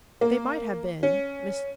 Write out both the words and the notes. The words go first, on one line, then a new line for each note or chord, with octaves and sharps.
They might have been--Mrs.
A#3
C#4